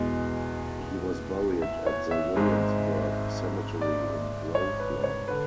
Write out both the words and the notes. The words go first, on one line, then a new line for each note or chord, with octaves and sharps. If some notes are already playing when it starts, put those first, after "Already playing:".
He was buried at the Williamsburg Cemetery in Groveland.
Already playing: E2 B2 G#3
E5
C#5
E5
G#1 G#2 G#3
D5
C#5
B4
C#5
D3 B4